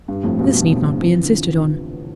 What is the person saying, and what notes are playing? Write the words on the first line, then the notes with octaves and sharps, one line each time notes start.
This need not be insisted on.
G2
F2 A2
G2 B2
G2 B2
A2 C3
B2 D3
C3 E3
D3 F3